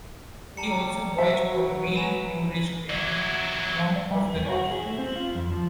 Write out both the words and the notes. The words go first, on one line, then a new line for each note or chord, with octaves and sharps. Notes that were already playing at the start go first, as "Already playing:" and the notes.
He also voiced a Male Tourist in "Norm of the North".
G3 A5 A#5 C#7
F#3 C5 E5
F#4
B4 G#5 B5 E7
F#3 E4
D5
G3
E2
F#4
G#4
A3
C4
F4
F2
F3